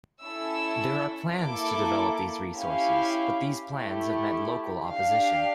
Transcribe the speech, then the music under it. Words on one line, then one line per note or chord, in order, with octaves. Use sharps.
There are plans to develop these resources, but these plans have met local opposition.
C#4 E4 A4 E6
A#3 E4 A4 D6
C#4 E4 G4 F5
A3 E4 G4
D4 G4 F5